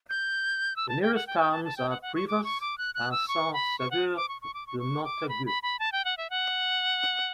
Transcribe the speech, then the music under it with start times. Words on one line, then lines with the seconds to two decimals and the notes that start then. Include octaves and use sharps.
The nearest towns are Privas and Saint-Sauveur-de-Montagut.
0.09 G6
0.76 E6
0.89 A5
1.02 G5
1.15 F#5
1.27 G5
1.39 G5
1.52 A5
1.64 A5
1.77 G5
1.90 F#5
2.02 F#5
2.15 C#6
2.28 D6
2.44 C#6
2.61 D6
2.78 F#6
2.95 F#6
3.11 E6
3.28 C#6
3.53 B5
3.79 C#6
3.91 F#5
4.16 D6
4.29 C#6
4.42 C#6
4.54 D6
4.67 C#6
4.79 C#6
5.04 D6
5.29 B5
5.46 B5
5.63 B5
5.79 A5
5.92 G5
6.05 F#5
6.17 E5
6.30 F#5